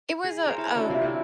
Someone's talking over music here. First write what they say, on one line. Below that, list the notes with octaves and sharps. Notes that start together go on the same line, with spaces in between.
It was a a
G#4
A#4 C5
E4 C#5 A5 B5
C#4 D4 F#4 A4
C3 A#3 F4 D5
F#3 A3 C4 E4